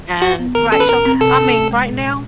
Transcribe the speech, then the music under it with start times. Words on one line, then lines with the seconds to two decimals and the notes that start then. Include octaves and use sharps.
And right, so, I mean, right now,
0.22 G2 F#4
0.39 B3
0.55 D#3 A#4
0.71 C#4 A4
0.80 B4
0.89 A2 A#4
1.06 C4
1.21 C3 A4
1.39 C#4
1.54 D2
1.71 G#3
1.87 A#2
2.04 A#2